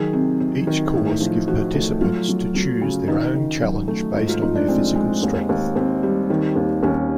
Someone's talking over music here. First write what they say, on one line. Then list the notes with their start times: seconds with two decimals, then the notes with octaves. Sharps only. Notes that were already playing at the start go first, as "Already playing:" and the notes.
Each course give participants to choose their own challenge based on their physical strength.
Already playing: D#3 F#3 G#4
0.13 C3
0.40 C3
0.67 D#3
0.93 A2
1.20 F3
1.48 F3 F#4
1.74 A3
2.01 F#3 F4
2.28 F#3
2.55 F#3
2.81 C#3
3.08 D#3 D#4
3.35 D#3
3.61 F#3
3.88 A3
4.16 G#2
4.29 F4
4.41 F3 D#4
4.56 D4
4.68 G#3 C4
4.95 G#3
5.23 D#2
5.49 D#2
5.76 D#2 C4
6.03 G3
6.30 D#3
6.56 D#2
6.83 D#2 C#4